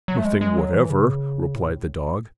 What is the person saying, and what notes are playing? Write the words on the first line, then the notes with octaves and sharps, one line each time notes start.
"Nothing whatever," replied the dog.
F#3
A3
G#3
G#3
F#3
E3
C#3
A2